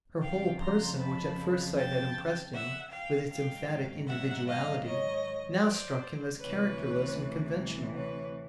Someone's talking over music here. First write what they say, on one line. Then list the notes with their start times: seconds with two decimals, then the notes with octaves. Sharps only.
Her whole person, which at first sight had impressed him with its emphatic individuality, now struck him as characterless and conventional.
0.21 F2 C#3 F3 F5 G5
0.60 A#5 C6
0.99 A5 B5
1.77 G5 A5
2.53 E5 F#5
2.92 F5 G5
3.30 G#2 D#3 F#3 F5 G5
4.08 E5 F#5
4.47 D#5 F5
4.85 C#5 D#5
5.62 C5 D5
6.40 D2 C3 E3 B4 C#5
7.94 B4 C#5